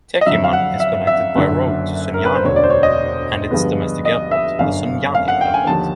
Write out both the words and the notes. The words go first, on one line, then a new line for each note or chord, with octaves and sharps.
Techiman is connected by road to Sunyani and its domestic airport, the Sunyani Airport.
D#5
F2 D3 F#3 E5
F5
F#5
E5
E5
F#1 F#2 D3 F#3
A#4
B4
C5
E1 D2 D3 C#5
D5
C5
C#5
D#5
G2 D3 F3 G#3 B3
D#5
E5
G1 F#2 D3 F5
F5
F#5
G5
G#5
D#2 D3 F3 A5